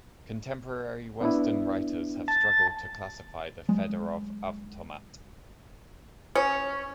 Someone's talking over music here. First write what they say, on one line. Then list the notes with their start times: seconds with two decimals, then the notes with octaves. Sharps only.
Contemporary Western writers have struggled to classify the Fedorov Avtomat.
1.21 B3 D4 E4
2.28 A5
3.68 F#3 G#3
6.35 C#4